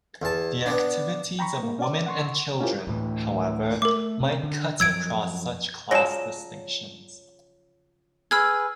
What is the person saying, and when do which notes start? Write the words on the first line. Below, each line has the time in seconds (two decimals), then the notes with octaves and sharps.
The activities of women and children, however, might cut across such class distinctions.
0.22 E2 A5
0.66 B3 D4
1.39 G5 A#5 B5 C#6
1.63 A#3
1.79 C#4 D5
2.06 F#5 C6 C#6
2.61 C#4 E4 F4 G4 A#4 C5
2.87 D2 A2 E3
3.82 A3 A#4 D6
4.20 C3 C#4
4.43 D3
4.80 F#2 F3 F#3 E6 G#6 D7
5.91 C#3 F3 F#3 C#5 D5 A5 A#6 E7
8.31 G#4 B4 E6 F6 G#6